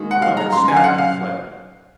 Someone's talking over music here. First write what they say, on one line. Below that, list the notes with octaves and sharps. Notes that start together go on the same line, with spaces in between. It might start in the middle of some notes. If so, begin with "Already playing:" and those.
The women scattered and fled.
Already playing: D#2 D#3 G#3 D#4 F#4
F#5
F5
A#5
F#2 C#3 F#3 C6
G#5
F5
F#5
F5